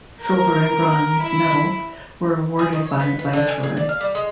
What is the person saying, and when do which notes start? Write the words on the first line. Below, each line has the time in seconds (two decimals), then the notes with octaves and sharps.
Silver and Bronze medals were awarded by the Viceroy.
0.23 A#4
1.22 E4
2.59 G#4
2.72 D#3
2.85 C#5
3.00 B3
3.19 B4
3.33 D3
3.48 G#5
3.63 G#4
3.77 D5
3.89 F5
4.01 G3
4.15 G#3